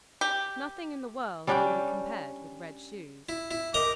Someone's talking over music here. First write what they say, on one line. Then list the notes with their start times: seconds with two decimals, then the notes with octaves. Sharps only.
Nothing in the world can be compared with red shoes.
0.21 G4
1.47 G3 C#4 D4 G4
3.29 E4
3.51 E4
3.74 A#4 D#5 A#5 D6